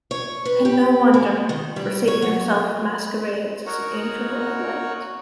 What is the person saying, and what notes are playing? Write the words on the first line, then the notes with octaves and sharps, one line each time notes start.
And no wonder, for Satan himself masquerades as an angel of light.
C#5
B4
G4
G#3
D#3
G3
C#5
F#3
D#4 F#4 A#4 C#5 F#5